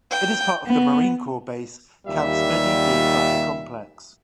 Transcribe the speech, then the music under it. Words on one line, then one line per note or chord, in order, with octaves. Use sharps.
It is part of the Marine Corps Base Camp Smedley D. Butler complex.
G5
B3
D#2 A#2 G3 E5